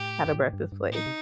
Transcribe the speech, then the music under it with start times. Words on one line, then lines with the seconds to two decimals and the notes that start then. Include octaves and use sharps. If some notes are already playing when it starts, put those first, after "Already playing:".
at a breakfast place,
Already playing: A2 G4
0.26 G2
0.34 A2
0.53 G2
0.72 G2
0.91 A2 D#4
1.06 C3